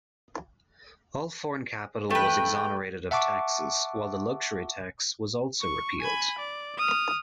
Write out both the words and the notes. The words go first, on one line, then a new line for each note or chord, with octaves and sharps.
All foreign capital was exonerated of taxes, while the luxury tax was also repealed.
A3 B4 G5
E5 F#5 A5 C#6 D6
C#6
G#5 B5
D5
D#6 F6